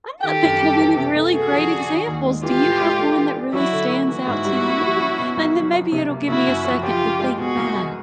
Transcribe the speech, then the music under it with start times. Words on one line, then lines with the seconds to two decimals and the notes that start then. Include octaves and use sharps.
I'm not thinking of any really great examples. Do you have one that really stands out to you? And then maybe it'll give me a second to think back.
0.24 D#3 G4 A4
0.42 F#2
0.60 G3
0.78 E3
0.97 C3
1.15 A3
1.33 A3 F#4 G#4
1.52 F3
1.70 D4
1.89 D#3
2.07 D#2
2.25 G#3
2.43 E3 F4 G4
2.61 A2
2.80 G#3
2.98 A3
3.17 E3
3.35 D4
3.53 F#3 E4 F#4
3.72 D3
3.90 A#3
4.08 E3 E4 F#4
4.27 G#2
4.45 G3
4.63 A#3
4.82 F3
5.00 C#4
5.18 B2
5.37 C2
5.55 F#3
5.73 F3
5.92 C3
6.10 A#3
6.28 C#3 E4 F#4
6.46 F#2
6.65 F3
6.83 F3 F4 G4
7.01 C#3
7.19 G#3
7.38 B2 F#4 G#4
7.56 C2
7.75 G#3